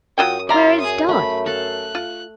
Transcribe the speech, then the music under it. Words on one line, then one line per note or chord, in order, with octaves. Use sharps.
"Where is Dot?"
F#2 F#3 F4 G5 D#6
F4 D5 E5 A#5
G#4 D#6
A3 B5
A4 F5 F#6
F4